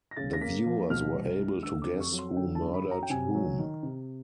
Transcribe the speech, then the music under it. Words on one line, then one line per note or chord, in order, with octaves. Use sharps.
The viewers were able to guess who murdered whom.
A#6
C#3 A6
A#6
A#3 B6
F3
B2 F6
C2
G#3
D3 E6
D6
F2
C#6
F#3
C6
D3 G5
A5
F#2
B5
F#3
A#5
G5
C3 G#5
F#3
D#3
C3